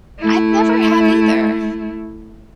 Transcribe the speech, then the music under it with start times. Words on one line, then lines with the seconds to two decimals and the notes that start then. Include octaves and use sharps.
I've never have either.
0.19 A3 E4